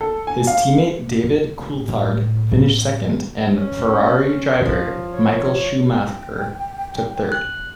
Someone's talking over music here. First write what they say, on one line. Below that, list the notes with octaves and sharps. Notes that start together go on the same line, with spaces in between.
His teammate David Coulthard finished second and Ferrari driver Michael Schumacher took third.
A4
G#5
F5
A2
C#4
F3
C#5
G5
F#6